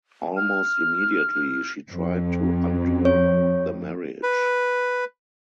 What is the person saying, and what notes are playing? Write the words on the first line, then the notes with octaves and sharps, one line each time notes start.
Almost immediately she tried to undo the marriage.
F6
F2
C#5
B4